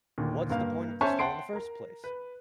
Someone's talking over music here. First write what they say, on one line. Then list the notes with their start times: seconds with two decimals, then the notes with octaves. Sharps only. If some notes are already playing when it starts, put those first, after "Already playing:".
What's the point of the straw in the first place?
0.18 D#2 A#2 D3 D#3
0.50 G2 A#3 F5
1.01 C#4 C5 E5 G#5 A5 C#6
1.19 F#5 G5 A5 C6 C7 D7
1.53 A#4 A#5
2.04 B4